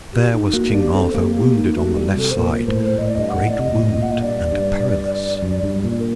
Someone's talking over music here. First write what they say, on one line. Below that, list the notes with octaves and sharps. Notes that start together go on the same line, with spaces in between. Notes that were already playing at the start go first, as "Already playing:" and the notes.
And there was King Arthur wounded on the left side, a great wound and a perilous.
G4
D#4
A#3 F#4
D4 G4
C4 A4
A#3 G4
G4
D#4
A3 F#4
G3 G4
C3 A4
C5
A#2 A#4
A2 C5
A2 D#5
D5
G2 D#5
F#5
A2
D5
C3 D#5
A#2
A2
A#2
F#5
D#5
G2 D5
G2
F#2
G2
A#2
A#4